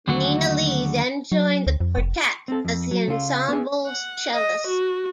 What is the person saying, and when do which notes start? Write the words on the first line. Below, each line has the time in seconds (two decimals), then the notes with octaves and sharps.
Nina Lee then joined the quartet as the ensemble's cellist.
0.08 D#2 D3 F#3 A3 F#4
1.32 F#3
1.67 D2
1.81 F2
1.97 F1
2.48 C4 A4
2.65 F2
2.91 F#3
3.08 C#3 F4
3.49 B3 G#4
3.87 F#5
4.34 D#5
4.67 F#4